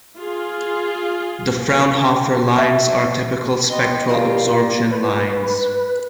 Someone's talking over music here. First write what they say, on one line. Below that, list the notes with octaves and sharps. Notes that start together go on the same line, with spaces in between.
The Fraunhofer lines are typical spectral absorption lines.
F4 G#4
E5
B3 D#5 G5 C6
F4 G4 A#4 D5 A#5
B4